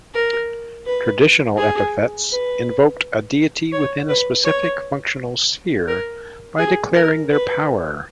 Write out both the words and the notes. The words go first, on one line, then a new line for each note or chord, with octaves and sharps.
Traditional epithets invoked a deity within a specific functional sphere by declaring their power.
A#4
B4
G#4
B4
C#5
B4
C#5
A#4
G#4
A#4
B4